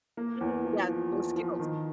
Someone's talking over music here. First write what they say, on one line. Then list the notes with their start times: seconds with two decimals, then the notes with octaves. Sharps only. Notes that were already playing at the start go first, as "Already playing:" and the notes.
Mm, yeah, no skills.
0.17 A#3
0.41 E2
0.65 F3
0.88 F3
1.12 E2
1.36 F3
1.60 D#3